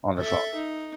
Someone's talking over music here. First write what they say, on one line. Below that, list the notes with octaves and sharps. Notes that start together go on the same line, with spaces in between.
"on their phone
A4 E5
D#4